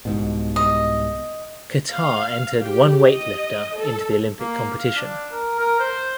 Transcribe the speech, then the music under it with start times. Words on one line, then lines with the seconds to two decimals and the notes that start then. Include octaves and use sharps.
Qatar entered one weightlifter into the Olympic competition.
0.05 C2 G#2 B2
0.56 D#5
1.90 F5
2.63 G4
3.05 D#5
3.78 A4
4.40 A#3
4.79 F5
4.96 D4
5.32 A#4
5.59 A#4
5.79 C5